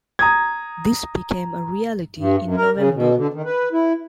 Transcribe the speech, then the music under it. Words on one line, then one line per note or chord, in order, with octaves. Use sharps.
This became a reality in November.
A#5 D#6 G#6
G2
F#2
A#4
C#3
B2
D3
D#3
B4
E4